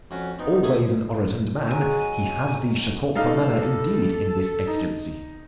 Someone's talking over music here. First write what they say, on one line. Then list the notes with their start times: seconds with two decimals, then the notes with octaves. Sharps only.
Always an orotund man, he has the Chautauqua manner indeed in this exigency.
0.11 F2 C#4 F#4
0.39 B3 C4 D#4
0.63 D2 A3 G#4
1.71 F#3 G#3 G#5
3.15 G3 D#4 A4 F5
4.67 D#4